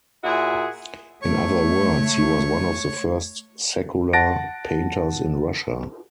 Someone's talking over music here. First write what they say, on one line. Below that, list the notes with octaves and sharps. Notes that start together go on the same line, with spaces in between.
In other words, he was one of the first secular painters in Russia.
A#2 E4 F#4 G#4
A3 C#5 C#6
F#5 A5 A6 A#6 D7